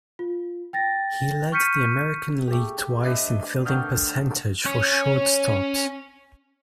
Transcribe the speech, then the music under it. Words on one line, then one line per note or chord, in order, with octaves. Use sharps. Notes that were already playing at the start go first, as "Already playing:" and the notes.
He led the American league twice in fielding percentage for shortstops.
F4
G5 A6 A#6
C#6 F6 G6 B6 C#7 D#7
A3 G4 G#4
D4 B4 C5 D#5 E5
D3 D#3 A3 D#6 F6 G6
C#4 C#5